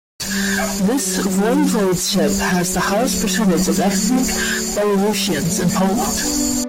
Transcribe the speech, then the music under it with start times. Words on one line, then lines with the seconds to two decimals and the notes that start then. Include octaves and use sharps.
This voivodeship has the highest percentage of ethnic Belarusians in Poland.
0.23 G3
0.96 F#3
2.07 G3
2.44 F#3
2.81 F#3 A3
3.18 F#3
3.54 G3
3.91 F#3 A3
4.28 F#3
4.65 G3
5.39 F#3 A3
6.13 B3 D4